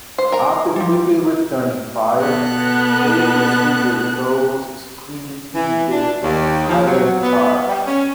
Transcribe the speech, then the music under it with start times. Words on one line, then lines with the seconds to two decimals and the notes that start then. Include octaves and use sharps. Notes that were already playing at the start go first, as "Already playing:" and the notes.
After quickly returning fire, they pursued their foes, screaming in the "Highland charge".
0.18 C5
0.32 A#4 A#5
0.76 F3 G3
2.18 B2 B3 A4 F#6
5.55 E3
5.91 D4
6.23 D#2
6.69 F3
6.87 F#3
7.23 B3
7.68 G3
7.87 C#4